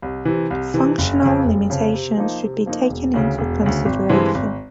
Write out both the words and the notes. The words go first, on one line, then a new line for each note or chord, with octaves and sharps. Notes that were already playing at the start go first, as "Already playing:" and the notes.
Functional limitations should be taken into consideration.
C2
C3 E3
C2
C3 E3
F#1
F2 C#3
F#1
F2 C#3
C3
F3 A#3 D#4
C3
F3 A#3 D#4
E1
D2 C#3
E1
D2 C#3
G#1
G2 E3 G#3 C4
G#1